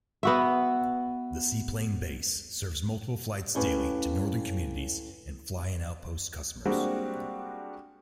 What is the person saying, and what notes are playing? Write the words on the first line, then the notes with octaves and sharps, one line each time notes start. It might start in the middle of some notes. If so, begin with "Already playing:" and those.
The seaplane base serves multiple flights daily to northern communities and fly-in outpost customers.
B3 F#4 E5
A2 C#4 G4 B4 F5
G3 G#3 A#3 C4 D4 F#4